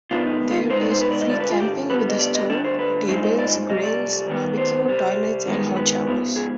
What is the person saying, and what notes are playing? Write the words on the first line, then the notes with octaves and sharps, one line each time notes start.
There is free camping with a stove, tables, grills, barbecue, toilets and hot showers.
C3 D#3 B3 D4 F4
D#4
F4
B2 G#3 B3 D#4 C5
D5
C5
B4
D5
D#5
G2 D3 F3 D5
B4
F4
G4
D2 D3 G3 B3 B4
D#5
D5
D#5
D2 D3 G3 D4 D5
C5
B4
G2 F3 G#3 C4 D#4 C5
D#5
D5
D#5
F2 C3 G3 D#5
D5
D#2 D#3 B3
C5
C2 C3 G3
G2 D#3 G#3 B3
B4
G#2 F3 B3
G#4